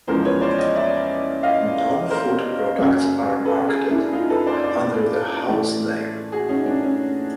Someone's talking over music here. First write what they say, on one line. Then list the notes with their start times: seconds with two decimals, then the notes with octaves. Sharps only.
Non-food products are marketed under the "House" name.
0.07 E2 C#3 F3 G#3 A#4 C5
0.25 B4 C#5
0.41 C5 D5
0.59 C#5 D#5
0.75 D5 E5
1.43 D#5 F5
2.10 A#4 C5
2.78 F#2 C#3 F#3 A#3
3.45 A4 B4
3.68 G#4 A#4
3.91 D4 E4
4.13 D#4 F4
4.30 A4 B4
4.46 C5 D5
4.64 C5 D5
5.48 A2 E3 A3
6.32 F#4 G#4
6.49 C#4 D#4
6.66 D4
6.83 C#4